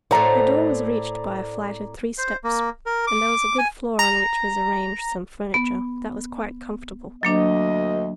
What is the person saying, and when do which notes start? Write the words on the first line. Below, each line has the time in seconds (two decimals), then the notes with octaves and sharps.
The door was reached by a flight of three steps and there was a good floor on which was arranged some furniture that was quite comfortable.
0.11 A2 A3 C4 D5 F#5 A#5
2.18 C5
2.44 A#3
2.86 A#4
3.07 D6
3.59 G#5
3.99 A#5
5.54 B3
7.23 D2 F#3 A#3 D4 D#5